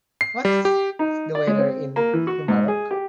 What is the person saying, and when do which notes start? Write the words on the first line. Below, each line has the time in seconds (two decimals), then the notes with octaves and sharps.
What's the weather in Humarock?
0.21 C7
0.45 G3
0.65 G4
0.99 D#4
1.35 D5
1.47 G#3
1.59 C4
1.96 A#3
2.13 E3
2.27 F#4
2.48 G#2
2.68 G#4
2.91 G4